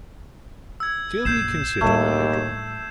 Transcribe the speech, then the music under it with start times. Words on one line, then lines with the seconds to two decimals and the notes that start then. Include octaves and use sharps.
Sylvie considered a little.
0.80 E6 G#6
1.25 A#1 F#2 G6 C7 E7
1.81 D#2 A2 G3 A3 E7